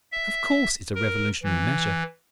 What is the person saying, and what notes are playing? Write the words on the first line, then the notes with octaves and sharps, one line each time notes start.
Of course, it is a revolutionary measure.
E5
A#4
E3